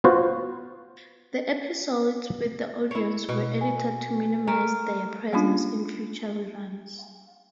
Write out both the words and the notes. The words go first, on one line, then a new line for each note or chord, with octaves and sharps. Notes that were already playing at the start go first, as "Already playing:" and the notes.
The episodes with the audience were edited to minimize their presence in future reruns.
B3 F4 F#4 C5
E4 C#5
B2
G#5
A3 A#4 A#5
G3 A#3 C#4 D4 F4